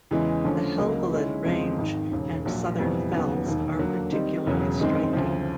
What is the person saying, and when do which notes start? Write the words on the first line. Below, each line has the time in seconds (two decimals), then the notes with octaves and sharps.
The Helvellyn range and Southern Fells are particularly striking.
0.11 E2 C#3 E3 G#3
0.44 D3 F3 A3 C#4
0.78 C#2 C#3 F#3 A#3 D#4
1.11 D#3 G#3 C#4 E4
1.45 E2 C#3 F3 G#3 C4
1.78 G#1 G#2 D#3
2.12 E1 D#2 C#3
2.45 A#1 A#2 F#3
2.78 F2 C3 E3 G3 B3
3.12 D#2 C#3 F#3 B3
3.45 E1 D#2 D#3
3.79 D3 F#3 A#3
4.12 D#3 G3 C4 D#4
4.46 E1 E2 C#3 F#3
4.79 F#2 D#3 G#3 C4
5.13 D2 C#3 F3